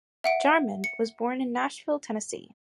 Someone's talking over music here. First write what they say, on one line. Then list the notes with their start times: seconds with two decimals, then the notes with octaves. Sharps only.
Jarman was born in Nashville, Tennessee.
0.24 E5 F#5 D7
0.84 C#7